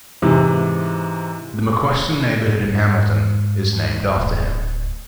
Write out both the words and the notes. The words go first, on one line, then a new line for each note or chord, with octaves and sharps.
The McQuesten neighbourhood in Hamilton is named after him.
G#2 C3 E3
G#2
D1